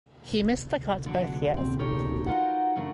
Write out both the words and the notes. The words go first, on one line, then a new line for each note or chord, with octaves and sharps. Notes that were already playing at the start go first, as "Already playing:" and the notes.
He missed the cut both years.
D3 F#3 D4
C4
D#4 G4 A4 A#4 C#5
D#4 F4 F#4 A#4 B4 F#5
F#2 C#3 A3 D4 A#4